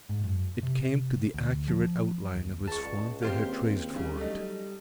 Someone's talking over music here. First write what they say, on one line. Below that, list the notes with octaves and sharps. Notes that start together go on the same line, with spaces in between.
It came to the accurate out-line of its form they had traced for it.
G#2
F#2
C3
D2
F3
D#2
C#2 G#4 A5 C#6
D5
D#2 C4 G4 C5 F5
C#3 G3
F#3 A3 D#4